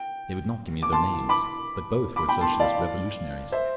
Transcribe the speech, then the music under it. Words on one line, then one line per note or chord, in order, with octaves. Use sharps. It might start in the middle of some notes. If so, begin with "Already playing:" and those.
They would not give me their names, but both were Socialist Revolutionaries....
Already playing: G5
D6
A5 C6
B5 D6
B5 D6
G5 B5
A5 C6
D5 F5
C5 E5